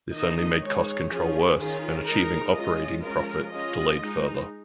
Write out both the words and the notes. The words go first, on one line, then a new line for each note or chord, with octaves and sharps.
This only made cost control worse and achieving operating profit delayed further.
D#3 A#3 D#4 D#5
G#3 D#4 C#5
F3 C#4 F4 G#4
D#3 C#4 F4 G#4
G#3 D#4 A#4
G#3 C#4 F4 D#5
F3 G#3 C#4 F4 A#4
G#3 C#4 F4 D#5
G#3 D#4